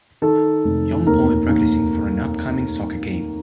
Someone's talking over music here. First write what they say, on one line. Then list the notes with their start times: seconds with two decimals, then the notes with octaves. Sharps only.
Young boy practicing for an upcoming soccer game.
0.22 D#3 A4
0.64 F1
1.07 D#2 A#4
1.49 D#2